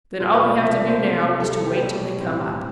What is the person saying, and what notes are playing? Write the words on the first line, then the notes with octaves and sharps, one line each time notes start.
"Then all we have to do now is to wait till they come up."
B2 A3 F4
B4
D5
C3 F3 A3 E5
D5
C5
C3 F3 A3
C3 G3 A4
A4
G4
B2 G3 B3
A2 G3 C4